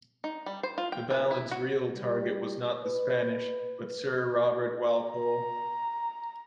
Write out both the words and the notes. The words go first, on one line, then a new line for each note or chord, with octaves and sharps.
The ballad's real target was not the Spanish but Sir Robert Walpole.
D#4
G3
C5
F4
G5
E3
E4
F#4
G3
B4
A#5